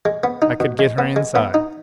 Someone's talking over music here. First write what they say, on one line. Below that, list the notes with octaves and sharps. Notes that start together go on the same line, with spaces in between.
I could get her inside.
G#3
B3
D#4
B2
G#3
B3
G#3
B3
D#4